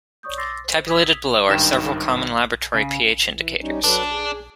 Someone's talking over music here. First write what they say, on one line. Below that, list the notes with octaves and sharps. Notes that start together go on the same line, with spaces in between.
Tabulated below are several common laboratory pH indicators.
C#5 D5 C#6 D#6 G6
C6 D6 E6 A6 A#6 C7
C5
D#6 E6 G#6 B6
G#1 G2 D#3 G5 E7
C#3
E3
G3 C#4 D#4
F#3 D4 A4 B4
G#4